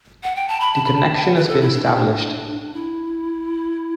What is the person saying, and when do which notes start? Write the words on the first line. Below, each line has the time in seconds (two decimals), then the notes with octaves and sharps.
The connection has been established.
0.23 F#5
0.36 G5
0.48 A5
0.60 B5
0.73 A5
0.85 B5
0.96 A5
1.16 G5
1.23 F#5
1.35 B4
1.44 G4
1.48 A4
1.61 E4
1.74 D4
1.84 E4
1.96 D4
2.74 E4